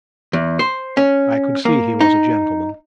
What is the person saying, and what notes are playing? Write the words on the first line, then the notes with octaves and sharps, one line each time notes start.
I could see he was a gentleman.
E2
C5
C#4
A#3
D#4